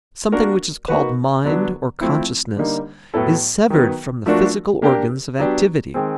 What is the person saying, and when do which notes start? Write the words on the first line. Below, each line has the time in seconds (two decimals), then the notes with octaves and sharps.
Something which is called mind or consciousness is severed from the physical organs of activity.
0.32 A#3 D4 F#4 A#4
0.88 A#3 D#4 F#4 B4
1.45 D3 F#3 B3 D4
2.01 F3 A3 C4 E4
2.57 D3 G3 A#3 D#4
3.14 A2 F#3 B3 E4 A4
3.70 D#3 F#3 B3
4.26 F3 A3 D4 F#4 A#4
4.82 A#3 D4 G4 A#4
5.39 F#3 B3 D4 G4
5.94 D#3 G#3 C4